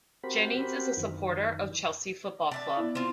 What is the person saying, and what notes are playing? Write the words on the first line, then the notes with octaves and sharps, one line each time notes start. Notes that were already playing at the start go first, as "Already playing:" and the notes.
Jennings is a supporter of Chelsea Football Club.
C4 F#4 G4 A#4 C5 B5
F#2 D#3 E3
D4 E5 A5
B3 E4
C4 F4